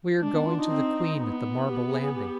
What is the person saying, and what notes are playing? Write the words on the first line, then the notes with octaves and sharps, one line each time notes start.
We are going to the queen at the marble landing.
G#3 D4
B3
F4
D#4
C4
B3
G4
G#4
G#4
G4